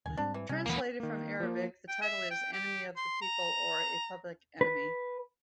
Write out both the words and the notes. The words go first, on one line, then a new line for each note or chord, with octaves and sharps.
Translated from Arabic, the title is "Enemy of the people" or "A Public Enemy".
D#1 C#2 D#3 G#5
G#2 G3 C4 D4
E3
C3 G3 C#4
D#1 E3 A#3 B3
D#3 A#3
F3 A#3
G5
E5
G5
G4
C6
A#5
B4